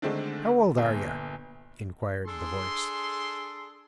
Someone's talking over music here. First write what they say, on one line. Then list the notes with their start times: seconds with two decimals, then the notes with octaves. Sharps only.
'How old are yer?' inquired the voice.
0.02 D3 D#3 G#3 A3 C4 D4
0.77 G1 A#2
2.26 D4 G#4 A4 C6